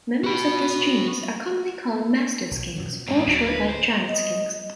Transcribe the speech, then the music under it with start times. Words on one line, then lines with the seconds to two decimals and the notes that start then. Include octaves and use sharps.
Members of this genus are commonly called mastiff skinks or short-legged giant skinks.
0.24 F#4 B5
2.51 B1
2.77 F#2 B2 F#3
3.07 G#2 C4
3.27 D1 F#3
3.47 B4
3.69 C5
4.08 D#5